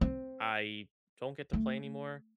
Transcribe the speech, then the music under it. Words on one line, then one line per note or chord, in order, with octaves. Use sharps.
I don't get to play anymore,
C4
A3